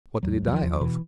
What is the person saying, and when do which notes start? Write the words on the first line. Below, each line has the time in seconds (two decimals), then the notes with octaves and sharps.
"What did he die of?"
0.23 E2 F#3
0.43 E2 F#3
0.53 F3
0.63 E2
0.81 B2 E3